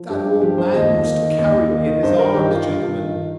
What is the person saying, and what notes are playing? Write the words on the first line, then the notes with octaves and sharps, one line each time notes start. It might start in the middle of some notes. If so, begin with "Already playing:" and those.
That old man used to carry me in his arms, gentlemen.
Already playing: F3
G2 G4
G2
F3 G4
F3 C5
D#2 D#5
D#2
D#3
D#3
D#2 D#5
D#2
D#3
D#3
G2 C5
G2 A#4
D#3 G4
D#3 F4
G2
G2
D#3
D#3